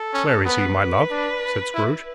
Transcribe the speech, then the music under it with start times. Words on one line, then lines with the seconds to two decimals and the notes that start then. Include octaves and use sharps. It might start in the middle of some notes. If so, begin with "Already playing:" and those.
'Where is he, my love?' said Scrooge.
Already playing: A4
0.13 C#4
0.45 B3 B4
1.10 D4
1.74 E4